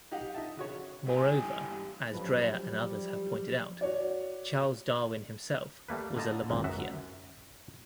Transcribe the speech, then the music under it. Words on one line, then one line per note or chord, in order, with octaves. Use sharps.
Moreover, as Dreyer and others have pointed out, Charles Darwin himself was a Lamarckian.
D#4 G4 F5 F#5
D#4 E5 A5
C#3 F#4 C#5
G2 E4 G4 G#5
A1 G2 F3 F#3 B4
G3
F#4 C#5 D5
G3 A3 A#3 B4
D3 A#3 D#5 A5 A#5
G#1 C#2 D#3
F#2 F#4 E5 F#5